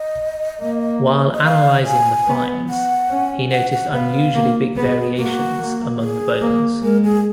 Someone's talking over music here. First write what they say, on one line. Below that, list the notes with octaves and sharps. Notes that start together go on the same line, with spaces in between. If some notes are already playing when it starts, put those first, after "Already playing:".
While analyzing the finds, he noticed unusually big variations among the bones.
Already playing: D#5
A#3
D#5
F5
G#5
B3
F#5
C#4
F#5
F#5
B3 F5
A#3
B3 G#4
A#3 F#4
A#3
G#4
A#3
G#3 A#4
G#4